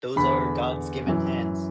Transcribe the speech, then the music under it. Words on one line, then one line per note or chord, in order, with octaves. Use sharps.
Those are God's given hands.
E2 D3 B5
F#2 E3